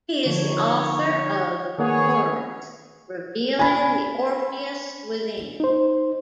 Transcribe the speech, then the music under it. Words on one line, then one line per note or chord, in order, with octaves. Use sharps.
He is the author of "Performance: revealing the Orpheus within".
D3 F3 D#4 C#5
D#3 A#3 B3 G#4 C#5 F#5
G#5 B5
D#4 C5